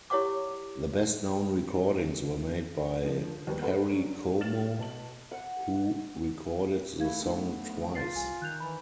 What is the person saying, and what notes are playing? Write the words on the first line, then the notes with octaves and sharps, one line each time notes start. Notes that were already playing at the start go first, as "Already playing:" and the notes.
The best-known recordings were made by Perry Como, who recorded the song twice.
E4 G4 C#5 D5 F#5 D6
D3 F3
D#2 G3 B3
D4 A4 B4 C5 F#5
F#3 C#4 D4
F6 A6 E7 F#7
B2 A5 F#7
F#5
A3 E4 F5 G#6
B3 D4 D#4
F4 A6 C7
C2 G#5
D#3 F#6 G6 F7
E3 B5